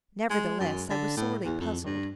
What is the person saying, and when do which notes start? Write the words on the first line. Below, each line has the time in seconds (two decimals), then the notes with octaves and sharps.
Nevertheless, I was sorely puzzled.
0.30 G#3
0.60 F#2
0.90 D3
1.16 A2
1.45 E2
1.60 F2
1.86 G2